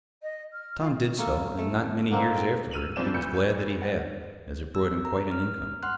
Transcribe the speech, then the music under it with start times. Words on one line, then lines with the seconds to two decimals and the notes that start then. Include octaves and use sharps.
Tom did so, and, not many years afterward he was glad that he had, as it brought him quite an income.
0.22 D#5
0.52 F6
0.78 F4
1.18 A3 A#3 C#4 A4
1.58 A3
2.11 D3 A#3 C4 D#4
2.36 G5
2.71 E6 F6 D#7 F7 F#7
2.96 F2 G#2 F3 C4 D5 E7
3.14 D2 B4 E6 G6 C#7
3.82 F#5 A6
4.75 E6
5.05 A#5
5.31 F6
5.83 F#5 C6 F6 F#6